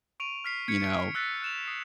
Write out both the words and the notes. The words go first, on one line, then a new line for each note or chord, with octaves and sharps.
you know,
C#6 D7 D#7 F7
F6 B6 C7
G#6 B6 C#7
E6 F#6 A6 B6
F#6 E7 F7
D#6 C7